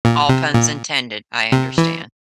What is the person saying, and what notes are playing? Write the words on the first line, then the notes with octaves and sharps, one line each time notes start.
All puns intended, I understand.
A#2
C3
A#2
C3
E3